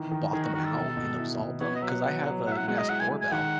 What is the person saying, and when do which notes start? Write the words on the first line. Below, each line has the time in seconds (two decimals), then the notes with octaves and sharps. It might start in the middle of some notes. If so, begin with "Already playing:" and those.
bought them out and absolved 'em, 'cause I have a Nest doorbell,
Already playing: D#3 E3
0.11 D#3
0.33 D#3 G#4
0.43 F#4
0.54 D#3 F#4
0.65 A4
0.76 B2
0.97 B2
1.18 E4
1.40 B2
1.61 B3 C#5
1.75 D#5
1.82 F#3 E5
1.89 F#5
2.04 F#3 F#5
2.26 F#3
2.47 E4 F#5
2.52 E5
2.57 F#5
2.68 G#3 F#5
2.78 D#5
2.89 E4 F#5
3.00 G#5
3.11 G#3
3.21 G#5
3.32 D#3 F#5